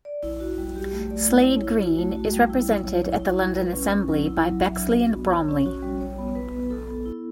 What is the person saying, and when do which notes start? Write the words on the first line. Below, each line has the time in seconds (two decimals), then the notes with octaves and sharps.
Slade Green is represented at the London Assembly by Bexley and Bromley.
0.05 D5
0.23 E4
0.40 F#4
0.58 G3
0.75 G4
0.93 A3
1.11 D5
1.28 E4
1.45 C#5
1.63 E4
1.80 F#4
1.98 A3
2.16 F#4
2.34 G3
2.50 E4
2.68 F#3
2.85 C#5
3.03 E4
3.20 E4
3.38 G3
3.56 B4
3.73 C#4
3.90 C#4
4.08 F#3
4.26 E4
4.43 F#3
4.60 E5
4.78 D4
4.96 F#4
5.13 B3
5.30 C#5
5.48 C#4
5.66 F#4
5.83 G3
6.01 C#5
6.18 B3
6.35 B4
6.53 B3
6.70 A4
6.88 B3
7.06 E4